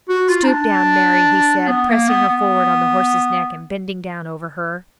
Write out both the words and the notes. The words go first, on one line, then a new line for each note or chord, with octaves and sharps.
"Stoop down, Mary," he said, pressing her forward on the horse's neck and bending down over her.
F#4
F4
D#4
D4
B3
A#3
B3
B3